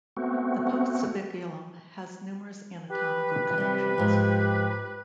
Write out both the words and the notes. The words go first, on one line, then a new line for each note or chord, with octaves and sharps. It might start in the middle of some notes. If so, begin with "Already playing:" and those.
The postsubiculum has numerous anatomical connections.
A3 B3 C4 F#4
G4 B4
C3 G3
G#2 F3